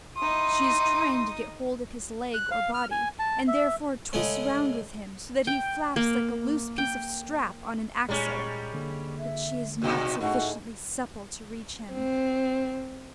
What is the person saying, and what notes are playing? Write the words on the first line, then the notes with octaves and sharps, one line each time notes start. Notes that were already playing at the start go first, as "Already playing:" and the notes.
She is trying to get hold of his leg or body, and therefore twists round with him so that he flaps like a loose piece of strap on an axle; but she is not sufficiently supple to reach him.
D#4 E4 C6 D#6
F#6
F5
F6
G#5
A5
E5
C#3 G#3 A3 C#4
G5
A#3
G5
A#2 G3 G#3 C#4 A#5 A6
D3 A#3
E5
G2 B2 D#4 F#4
A2 A3 D#4 F#4 G#4 F#5
C4